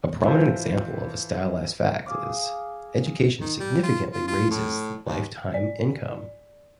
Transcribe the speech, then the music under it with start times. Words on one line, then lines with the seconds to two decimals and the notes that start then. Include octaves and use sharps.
A prominent example of a stylized fact is: Education significantly raises lifetime income.
0.25 E3 E4 F4 A4 C5
2.06 G#4 F5 D6
3.40 D#3
3.59 G3
3.83 F4
4.13 F4
4.28 F4
4.50 A2
5.07 D#2
5.54 D5